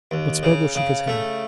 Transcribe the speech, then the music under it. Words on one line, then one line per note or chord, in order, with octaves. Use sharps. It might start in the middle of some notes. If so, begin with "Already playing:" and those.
But Spargo shook his head.
D#2
C#3
C#3
A3